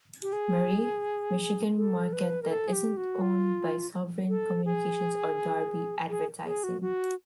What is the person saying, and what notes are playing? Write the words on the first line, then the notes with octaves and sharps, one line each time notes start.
Marie, Michigan market that isn't owned by Sovereign Communications or Darby Advertising.
G4
G#4
A4
B4
A#4
A4
G#4
G4
F#4
F4
A4
G#4
G#4
G#4
F#4
F#4